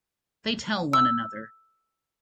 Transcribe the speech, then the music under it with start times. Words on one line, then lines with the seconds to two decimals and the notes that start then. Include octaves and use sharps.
They tell one another.
0.93 E6